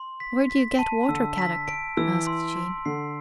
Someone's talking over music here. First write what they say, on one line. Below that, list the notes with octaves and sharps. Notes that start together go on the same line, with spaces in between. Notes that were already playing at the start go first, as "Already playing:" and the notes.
"Where do you get water, Kadok?" asked Jean.
Already playing: C6
B6
B6
A5
D3 E6
B6
D7
E3 E6
C6
C6
D3 C7